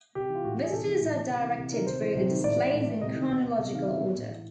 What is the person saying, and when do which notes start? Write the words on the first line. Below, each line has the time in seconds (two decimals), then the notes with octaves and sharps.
Visitors are directed through the displays in chronological order.
0.15 C3 G4
0.29 E3
0.35 F4
0.44 A2 F#4
0.55 E3 G4
0.64 G#4
0.72 C3 A4
0.87 E3 G#4
1.01 A2
1.16 E3
1.30 C3
1.44 E3
1.58 C3
1.72 D#3 A#4
1.87 C3 C5
2.02 E3
2.15 C3
2.30 D#3
2.44 A2 D5
2.58 E3
2.72 A2
2.87 E3
3.01 C3 D#5
3.16 D#3
3.29 B2
3.45 B2
3.59 C3
3.73 D#3 F5
3.87 B2 E5
4.01 B2
4.16 A2
4.30 E3